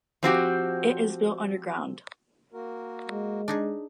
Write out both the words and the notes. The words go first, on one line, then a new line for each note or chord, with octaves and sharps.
It is built underground.
F3 C4 F#4 G4
A#3 F#4 A#4
G#3
D4 D#4 G#4